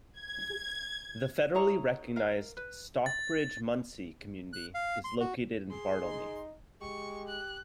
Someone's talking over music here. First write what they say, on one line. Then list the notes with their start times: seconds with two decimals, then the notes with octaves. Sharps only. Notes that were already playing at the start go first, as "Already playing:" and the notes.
The federally recognized Stockbridge-Munsee Community is located in Bartelme.
0.18 G#6
1.54 E4 G#4 C#5 A#5
2.16 A#4 F5
2.57 B4
3.06 A6
4.53 F#6
4.74 F5
5.04 C6
5.20 F#4
5.71 G#4 C6
6.04 D#4
6.81 G#3 G4 C#6
7.28 F#6